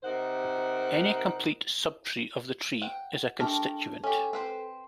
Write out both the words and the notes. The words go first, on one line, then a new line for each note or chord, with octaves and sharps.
Any complete sub-tree of the tree is a constituent.
C3 D#4 A#4 C5 F#5
F#5 G5
A3 D4 G4 A#4 A5
C#4 G4 A4
C4 B4 C5